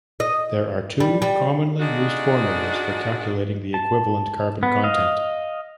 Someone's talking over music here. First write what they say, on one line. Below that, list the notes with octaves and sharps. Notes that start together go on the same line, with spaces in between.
There are two commonly used formulas for calculating the equivalent carbon content.
D#5
G3
G3
A3 D4 D#4 F4 F#4 G#4
A5
B3
D#5 F5